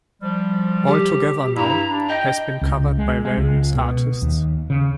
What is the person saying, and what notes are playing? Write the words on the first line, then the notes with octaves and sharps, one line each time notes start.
"All Together Now" has been covered by various artists.
F3 G3
G4
G2 E4 A#5
D4
D#5 G5
C#2
G#3
G#3
C#2
B2
D#2
C#3